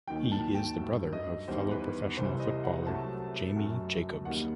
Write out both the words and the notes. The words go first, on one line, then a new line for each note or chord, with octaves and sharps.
He is the brother of fellow professional footballer Jamie Jacobs.
D#2 D#3 F#3 G5
A5
G5
G2 F#3 A3
D#5
E2 D#3 G3 C5
B4
C2 C3 E3 G3 C5
D#5
F#5
C2 C3 F#3 A3 A5
F#2 F#3 A3
D#2 D#3 G3 F#5